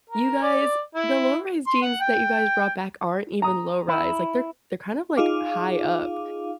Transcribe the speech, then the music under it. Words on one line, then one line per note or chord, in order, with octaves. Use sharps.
"You guys, the low-rise jeans that you guys brought back aren't even low-rise, like, they're they're kind of like high up."
A#4
D5
E4
C6
F#5
G5
A#5 D#6
E4
D#4 F4 G#4 F5 D6